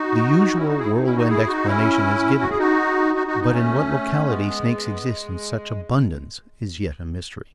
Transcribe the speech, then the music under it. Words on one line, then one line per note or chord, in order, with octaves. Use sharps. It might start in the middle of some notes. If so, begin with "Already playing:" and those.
The usual whirlwind-explanation is given--"but in what locality snakes exist in such abundance is yet a mystery."
Already playing: D#4 F#4
C#4 E4
D#4 F#4
E4 G#4
D#4
C#4 E4
D#4 F#4
E4 G#4
D#4 F#4
C#4 E4
F#4
G#4
D#4 F#4
D#4 F#4
D#4 F#4
B3 D#4
A3 C#4
G#3 B3
G#3